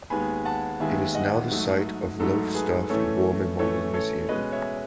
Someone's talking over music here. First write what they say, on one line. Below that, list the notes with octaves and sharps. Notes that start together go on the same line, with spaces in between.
It is now the site of Lowestoft War Memorial Museum.
D#2 D#3 G#3 B3 G#5 B5
F#5 A5
D#2 D#3 G#3 B3 E5 G#5
D#5 F#5
G#2 F#3 A3
G#2 F#3 A3 A4
G#4 B4
A2 E3 A3 C#4 A4 C#5
A2 E3 A3 C#4 A4 C#5
A4 C#5
B2 G#3 C#4 B4 D#5
C#5 E5